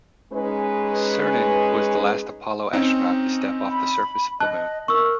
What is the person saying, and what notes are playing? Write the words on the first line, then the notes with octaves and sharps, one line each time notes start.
Cernan was the last Apollo astronaut to step off the surface of the Moon.
G#3 C#4 D#4 B4
C4 C#4 D#4
B5
D#5 A5 F#6
A#4 C#6 E6